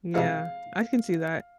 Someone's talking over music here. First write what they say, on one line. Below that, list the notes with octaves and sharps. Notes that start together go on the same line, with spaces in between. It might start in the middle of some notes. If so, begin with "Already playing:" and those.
Yeah, I can see that.
F2 C3 E3 G#3 F5